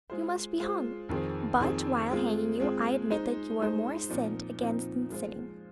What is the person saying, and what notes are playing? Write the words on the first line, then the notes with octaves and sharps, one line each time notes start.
You must be hung. But, while hanging you, I admit that you are more sinned against than sinning.
G#3 F4 G#4 C5
G#3 F4 G#4 C5
F2 D#3 C4 G#4 C5
F2 D#3 C4 G#4 C5
G#3 C4 F4 G#4
G#3 C4 F4 G#4
G#3 D#4 C5
G#3 D#4 C5
A#2 F3 C4 D#4
A#2 F3 C4 D#4
F3 G#3 F4 C5